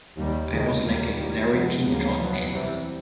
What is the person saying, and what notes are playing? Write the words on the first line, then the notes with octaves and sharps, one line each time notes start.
I was like a Larry King in short pants.
D#2 D#3 G3
C#2 C3 D#3 G#3
D#2 D#3 G3 A#3
F#2 D#3 G3
C3 F3 G#3 B3
D2 C#3 F3 A#3
E2 B2 F#3 B3
C3 E3 G3 C4